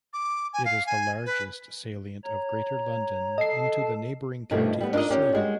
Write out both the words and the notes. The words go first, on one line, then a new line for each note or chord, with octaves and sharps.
It is the largest salient of Greater London into the neighbouring county of Surrey.
D6
G#5
F5
G#5
B4
C#5 A#5
A4 D#5 A5 C7
G2 B2 D#3 F3 A3
G3 B3
D4 D#4 F4 A#4 D#5
C#4 F4 G4 A#4 D5
G3 G#3 F#4